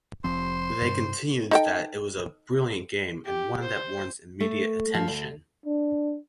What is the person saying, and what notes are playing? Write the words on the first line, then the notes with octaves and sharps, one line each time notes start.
They continued that it was "a brilliant game, and one that warrants immediate attention".
F1 F3 C4 C5
G2 C3
D#4 A4 G5
G4
C5
A3
F3
D2
D4